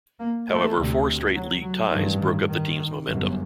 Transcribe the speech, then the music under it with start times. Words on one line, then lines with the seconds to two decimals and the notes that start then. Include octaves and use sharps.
However, four straight league ties broke up the team's momentum.
0.19 A#3
0.48 A3
0.77 D2 C3
1.34 F#3
1.62 F#3
1.91 A1 G2 D#3
2.20 D#3
2.48 D#3
3.06 G1 F#2